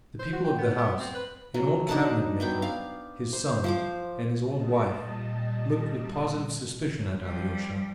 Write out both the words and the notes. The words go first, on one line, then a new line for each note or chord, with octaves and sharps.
The people of the house, an old cabinet-maker, his son, and his old wife, looked with positive suspicion at Alyosha.
C5
F#4
G5
B3
B3
C4
B4
F#3
D4 D#4 F#5 A5
F#3 B3 G5
D5 F5
C5
F3 C5 D6
A#2 G3 D#5 A5
F3 G3